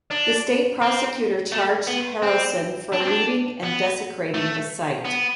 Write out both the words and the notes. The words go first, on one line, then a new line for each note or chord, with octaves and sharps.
The state prosecutor charged Harelson for looting and desecrating the site.
D4
C4
A3
B3
C4
D4
C4
D4
B3
A3
B3